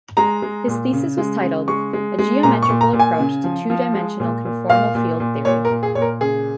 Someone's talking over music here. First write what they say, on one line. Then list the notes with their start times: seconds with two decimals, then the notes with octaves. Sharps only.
His thesis was titled "A Geometrical Approach to Two Dimensional Conformal Field Theory".
0.17 G#3 A#5
0.42 G#3
0.68 A#2
0.93 C#3
1.18 G#3
1.43 C#3
1.68 G#3 C#6
1.93 G#3
2.19 G#3
2.43 A#2 A#5
2.62 C#6
2.69 A#2
2.81 A#5
2.93 A#2
2.99 G#5
3.19 C#3
3.44 F3
3.70 F3
3.94 G#3
4.20 A#2
4.45 A#2
4.69 A#2 F5
4.95 A#2
5.20 A#2
5.45 A#2 C#5
5.65 A#4
5.70 A#2
5.83 G#4
5.95 A#2 C#5
6.02 A#4
6.21 C#3 G#4